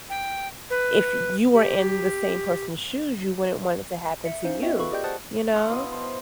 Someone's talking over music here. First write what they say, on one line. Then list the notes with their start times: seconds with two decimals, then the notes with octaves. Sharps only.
if you were in the same person's shoes, you wouldn't want it to happen to you, you know?
0.10 G5
0.70 B4
1.54 G4
4.25 E5 C#7
4.44 C#4 D#4 C5 F5
4.62 B3 F#4 D#5 E5 G5
4.77 F4 A4 B4 F5 B5 C#6
4.91 G4 G#4 D5 D#5 G5 G6
5.04 C5 F#5 A5 D#6 F#6 A6
5.54 C#5 D#5 F5 C6
5.70 B2 E4 D#5 D6
5.92 C5